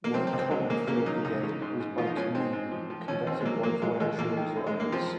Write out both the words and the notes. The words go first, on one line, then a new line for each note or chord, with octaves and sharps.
One common fur brigade was by canoe, conducted by voyageurs or others.
A#3
F#3 C4
C4
C#2
C4
F#3 G#3
C#3 A#3
C#3 A#3
F#3 D#4
C#2 D#4
C#3
G#2
G#2
F3 F4
D#4
G#2 C#4
G#2 C4
G#2
F3
F3
D#2 C#4
D#2 C4
G#3
F#3 A#3
F#3 A#3
F#3 G#3
D#2 G#3
D#2 A#3
D#3
F#2
G#3
F#2
A#3
F3 C4